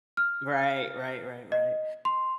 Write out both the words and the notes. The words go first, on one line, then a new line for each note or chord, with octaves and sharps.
Right, right, right, right.
F6
D#5
C6